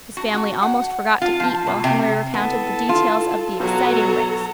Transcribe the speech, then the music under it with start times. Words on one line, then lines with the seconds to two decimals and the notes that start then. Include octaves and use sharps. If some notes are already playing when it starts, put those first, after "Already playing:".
His family almost forgot to eat while Henry recounted the details of the exciting race.
0.17 F#4
0.34 F#4
0.63 F#5
1.22 F4
1.40 F3
1.67 B2
1.84 C3
2.34 B3 E4 A4 A5
2.89 F4
3.60 B2 F#3 A4 A#5